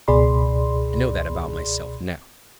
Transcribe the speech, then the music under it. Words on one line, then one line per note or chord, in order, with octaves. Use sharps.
I know that about myself now.
C#2 B2 G#4 D5 B5 C6